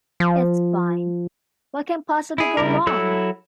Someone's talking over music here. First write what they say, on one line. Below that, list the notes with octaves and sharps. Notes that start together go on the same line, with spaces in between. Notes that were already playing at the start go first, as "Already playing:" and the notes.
It's fine. What can possibly go wrong?
F3
E4 G#4
C#3 G3 E4 A#4
F#3 E4 A4 E6 F#6